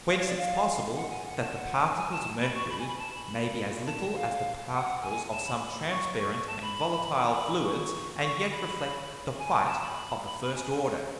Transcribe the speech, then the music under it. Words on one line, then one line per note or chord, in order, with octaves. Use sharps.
Whence it's possible, that the Particles of Mercury may be as little as the Particles of some transparent and volatile Fluids, and yet reflect the white of the first order.
F5
C#5
D5
F5
F#5
G#5
F#5
A5
F#5
G#5
G#5
A5
B5
C#6
B5
G#5
B5
A5
B5
A5
F5
F#5
G#5
A5
B5
C#6
C#6
C#6
A5
B5
B5
C#6
C#6
B5
G#5
A5
B5
B5
B5
G#5